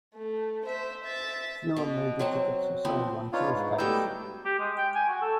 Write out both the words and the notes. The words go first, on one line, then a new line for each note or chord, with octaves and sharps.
Fewer movie tickets were sold on Tuesdays.
A3
C5 E5
E5 A6
B2
F#3 C4 F#5
F3 B3 C4
D4 D#4 F4 B4 C#5 F5
G#2
F#3 G3 A3 B3 C#5 E6 G6
G4
G#3
G5
G#5
F#4
A4